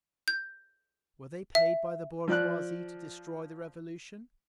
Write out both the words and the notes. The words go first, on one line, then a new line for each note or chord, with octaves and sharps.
Were they paid by the bourgeoisie to destroy the Revolution?
G6
E5
F3 D5 F#6